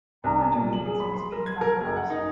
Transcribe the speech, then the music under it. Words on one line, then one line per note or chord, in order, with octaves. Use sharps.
Paul intervenes and is beaten by the officer.
C2
A#2
F#7
G#4
B5
C6
A#4
G#6
A#4
F#1
F#5
D#4